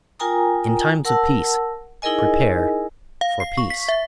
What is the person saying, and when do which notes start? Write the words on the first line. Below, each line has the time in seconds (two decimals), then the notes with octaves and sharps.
In times of peace prepare for peace.
0.19 F4 A#4 G5 G#5 A#5 D#6
1.05 A#4 F#5 A5 E6
2.02 D#4 E4 G#4 A#4 D#5 G#5
3.21 F5
3.40 C7
3.57 C#6
3.70 B6
3.88 E5